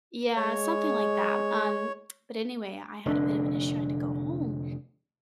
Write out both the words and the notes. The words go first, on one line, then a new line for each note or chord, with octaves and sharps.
Yeah, something like that. Um, but anyway, I had a bit of an issue. I had to go home,
G#3 C#5
F1 D3 D4